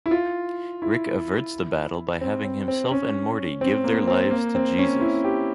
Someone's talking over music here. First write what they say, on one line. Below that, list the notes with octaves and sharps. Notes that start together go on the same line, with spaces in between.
Rick averts the battle by having himself and Morty give their lives to Jesus.
E4
F4
E4
C4
C4
C4
C#4
C4
A#3
C4
A#3
C4
C#4
E4
G4